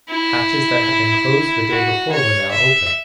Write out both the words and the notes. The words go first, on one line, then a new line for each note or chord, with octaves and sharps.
Hatches that had been closed the day before were now open.
E4
F#4
C#5
E5